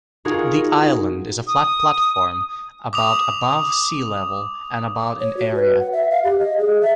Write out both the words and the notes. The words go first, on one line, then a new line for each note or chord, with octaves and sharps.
The island is a flat platform about above sea level and about in area.
D#4 F4 F#4 G#4 A#4
D#6
D6 D#6 F7
C#5
F#4
B4
F#5
E5
F5
G4
D#5
G#4
E5